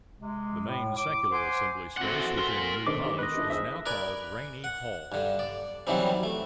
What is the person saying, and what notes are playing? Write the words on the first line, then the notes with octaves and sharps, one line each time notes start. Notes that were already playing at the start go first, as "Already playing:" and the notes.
The main secular assembly space within New College is now called Rainy Hall.
C3 G#3
A2
D6
C5 F#5 G#5 C6 D6
E3 C4 F#4 A4 F#5
A#4 C6
D#3 A3 B3 D4 C5 D6
G#3 D#4 G4
D#3 B3 B4 D#5
D4 E4 A4
D#3 G#4 C5 E5 D#6 E6
A#4 B4 D5 G#5
F#5
G2 D3
D5
B2 D#3 E3 F#3 G3 C4
A3